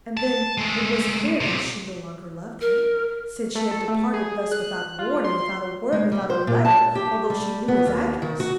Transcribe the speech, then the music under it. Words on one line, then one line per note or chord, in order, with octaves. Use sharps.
And then, it was clear that she no longer loved him, since she had departed thus without warning, without a word, without a letter, although she knew his address!
A5
G#3 A3
B1 C3
A#4
A3
A4
A3
G#4
F#6
F4
C6
G#3
G3
C5
A#2
A5
G4
G3
B3
D#2
D#3
F#4